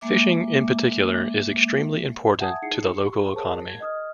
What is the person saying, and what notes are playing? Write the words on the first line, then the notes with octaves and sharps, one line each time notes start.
Fishing in particular is extremely important to the local economy.
G#3 A#3 E5 D6
E5 F#5 G#5 A5 D#6 G#6
D#4 E4 G#4 C7 C#7
G4 C#6
G#4 A#4 C5 C#5 A5
G#6
D#5 D#6 F6